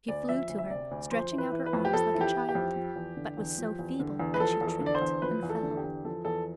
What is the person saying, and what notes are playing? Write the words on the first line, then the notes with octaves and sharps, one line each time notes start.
She flew to her, stretching out her arms like a child, but was so feeble that she tripped and fell.
D2 D5
F3 E5
D2
E5
C3 D5
D2
F2 C5
E3
B4
E3
B4
F2
G4
F2 A4
E3
G4
E3
G4
F2
F3
E2
D3
E2
F3
E2
D3
E2
B4
F3 A4
E2
A4
D3
D5
C5
E2
F3 B4
E2
A4
D3
G4
E2
F3 A4
E2 A4